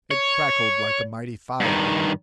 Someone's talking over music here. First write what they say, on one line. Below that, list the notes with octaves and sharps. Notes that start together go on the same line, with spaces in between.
It crackled like a mighty fire.
C#5
G2 D#3